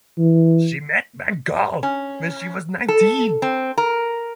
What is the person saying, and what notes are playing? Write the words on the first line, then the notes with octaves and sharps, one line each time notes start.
She met Van Gogh when she was nineteen.
E3
C#4
A4
C4
A#4